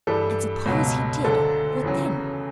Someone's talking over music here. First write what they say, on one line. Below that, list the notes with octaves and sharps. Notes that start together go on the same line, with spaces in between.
And, suppose he did, what then?
G2 E3 G3 A4
C#2 B2 F#3
D2 D3 F#3 A4
E2 C#3 F#3